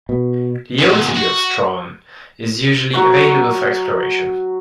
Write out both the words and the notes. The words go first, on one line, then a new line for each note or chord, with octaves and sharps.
The old city of Strawn is usually available for exploration.
B2
E2 A#2
F#4
F#3 F#5 C#6